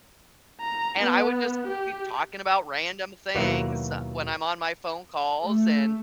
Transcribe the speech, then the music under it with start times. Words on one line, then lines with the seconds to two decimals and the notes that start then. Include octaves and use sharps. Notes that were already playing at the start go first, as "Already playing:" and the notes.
and I would just keep talking about random things when I'm on my phone calls and
0.61 A#5
1.00 B3
1.68 G4
3.35 D#2 B2 F#3 A#3 E4 F#5
5.44 A3